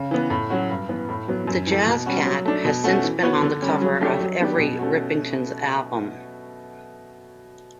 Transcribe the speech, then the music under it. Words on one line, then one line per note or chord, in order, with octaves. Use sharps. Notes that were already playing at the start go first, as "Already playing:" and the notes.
The Jazz Cat has since been on the cover of every Rippingtons album.
Already playing: C#3
E3 B3
A2
F#3 C#4 F#4
G2
E3 B3
A2
F#3 B3
F#2
E3 A3
B2
G3 C#4 F#4
F#3
A3 D4
B2
A3 C#4 F#4
E3
B3 F#4 C#5
D3
G3 C#4
F#3
A3 D4 G4 C#5
F#3
B3 D4 G4
B2
A3 C#4 F#4